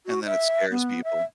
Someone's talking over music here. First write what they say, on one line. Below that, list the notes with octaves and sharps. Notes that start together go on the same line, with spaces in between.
And then it scares people.
F#4
E5
B3
E5